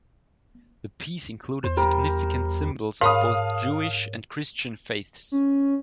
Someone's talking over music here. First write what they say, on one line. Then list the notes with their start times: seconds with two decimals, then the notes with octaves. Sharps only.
The piece included significant symbols of both Jewish and Christian faiths.
1.64 E2 C5
1.77 G3 A#4
3.01 G#2 A#4 C#5 F5 A5 B5 D#6
5.32 C#4